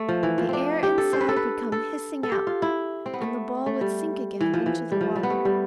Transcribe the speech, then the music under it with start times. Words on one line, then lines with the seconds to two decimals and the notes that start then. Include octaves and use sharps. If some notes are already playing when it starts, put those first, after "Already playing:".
The air inside would come hissing out, and the ball would sink again into the water.
Already playing: A3
0.09 F3
0.23 E3
0.38 F3
0.49 C4 D4
0.83 G4
0.98 A4
1.13 C5
1.21 B4
1.29 A4
1.36 B4
1.72 A4
2.23 A4
2.32 G4
2.47 F4
2.62 E4
3.06 C4
3.14 B3
3.21 A3
3.66 A3
3.81 G3
4.41 E3
4.54 F3
4.66 E3
4.92 G3
5.01 F3
5.15 G3
5.23 B3
5.30 A3
5.45 G3